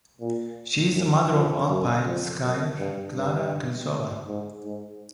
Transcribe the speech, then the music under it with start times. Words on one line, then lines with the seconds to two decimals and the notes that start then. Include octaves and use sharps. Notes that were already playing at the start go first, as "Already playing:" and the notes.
She is the mother of alpine skier Klára Křížová.
0.21 A#2
0.95 F#2
1.32 F2
1.69 F#2
2.05 F2
2.42 F#2
2.79 G2
3.16 G2
4.27 G#2
4.64 G#2